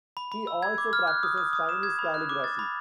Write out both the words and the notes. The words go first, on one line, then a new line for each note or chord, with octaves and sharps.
He also practices Chinese calligraphy.
B5
B5
E6
G#6
D6
F6
F#6
D#6
D#6
D#6
E7
G#6
B5
F#6
D6
A6
B5